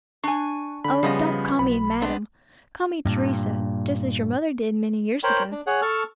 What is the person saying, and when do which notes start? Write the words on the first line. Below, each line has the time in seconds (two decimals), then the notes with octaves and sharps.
"Oh, don't call me 'madame.' Call me Teresa, just as your mother did many years ago."
0.24 D4 G#5 C#6
0.84 D3 B5
1.03 C#3 F3 G3 B3 D#5
1.59 B1 B5
2.02 B3 C4 D4
3.05 G2 A#2
5.23 A#4 C5 C#5 G5 B5
5.52 D4
5.67 G#4 C#5 F#5
5.82 A4 A5 C#6 F6